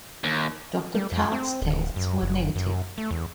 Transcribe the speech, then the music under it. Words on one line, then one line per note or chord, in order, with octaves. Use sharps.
Doctor Tart's tests were negative.
D#2
G3
F2
C4
D1
F#2
F#1
F#2
A3
E2